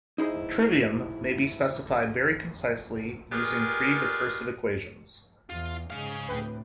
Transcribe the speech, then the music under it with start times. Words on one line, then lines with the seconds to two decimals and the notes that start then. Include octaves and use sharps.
Trivium may be specified very concisely using three recursive equations.
0.18 D#4 E4 G#4 C5 D#5
3.32 G3 G#3 F4 G#4 A#4 B4
5.50 E2 F4
5.90 G#2 C#3 G#3 G#4 F5
6.29 D2 A2 C3 B4 G5